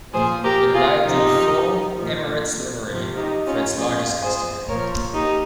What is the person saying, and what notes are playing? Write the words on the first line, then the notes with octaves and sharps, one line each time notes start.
It arrived in full Emirates livery for its largest customer.
A#2 F3 G#4 C5
G4 A#4
F4 G#4
C3 F3 D#4 G4
A#2 F3
C3 F3
D#4 G4
C#4 F4
A#2 F3 F4 G#4
G#4 C5
A#2 F3 A#4 C#5
D#4 G4